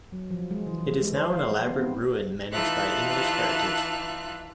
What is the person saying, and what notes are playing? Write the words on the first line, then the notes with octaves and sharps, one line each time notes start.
It is now an elaborate ruin managed by English-Heritage.
F#3
F3
G#3
E3
E3
G#3
C5
F5
A3
B3
C4
E3 D#4 F4 E5 A5 F#6